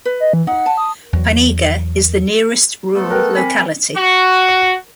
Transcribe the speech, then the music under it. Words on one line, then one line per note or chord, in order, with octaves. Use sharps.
Pinega is the nearest rural locality.
B4
D#5
E3
D#4 F#5
A5
D#6
E2 F#3
A3 B3 A4
A#4 B4 G5 F#6
C4 G#5 B5 B6
A#4
F#4